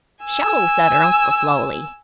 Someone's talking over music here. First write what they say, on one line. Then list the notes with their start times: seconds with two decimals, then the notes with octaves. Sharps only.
"Sho!" said her uncle, slowly.
0.24 G#5 E6